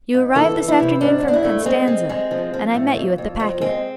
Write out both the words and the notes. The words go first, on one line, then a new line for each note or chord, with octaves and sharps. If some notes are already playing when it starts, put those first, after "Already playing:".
You arrived this afternoon from Constanza, and I met you at the packet.
G#2
E3 A4
E3
E4
C3
G#2 D4
G#2
D4
E4
A3
G#3 C4
G#3
G#3
F3
F3
A2
F2
F2
F2
G#3 C4